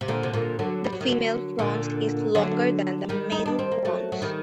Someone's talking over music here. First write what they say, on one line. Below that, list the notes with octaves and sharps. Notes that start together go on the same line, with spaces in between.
The female frons is longer than the male frons.
C3
A#2 D3
C3
A#2 D3
D3 F#3
G3
F#3
D#3
D3 F#3
A#2 D3
D3 F#3
D#3 G3
D#4
D4
C4
A#3
F#3 A3
F#3
D#3 G3